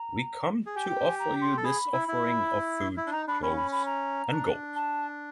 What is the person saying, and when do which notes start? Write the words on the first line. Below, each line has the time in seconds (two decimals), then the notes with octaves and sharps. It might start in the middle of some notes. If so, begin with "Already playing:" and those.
We come to offer you this offering of food, clothes, and gold.
Already playing: A#5
0.66 G#4
0.75 G4 G#5
0.90 G5
1.05 G#5
1.19 A#5
1.41 C6
1.57 A4
1.64 G#4 B5
1.93 E4
2.08 E4
2.97 E4
3.07 D4
3.12 D#4 A#5
3.28 D4 B5
3.42 C#4 B5
3.57 B5
3.72 B5
3.86 A#5
4.31 D4
4.76 A5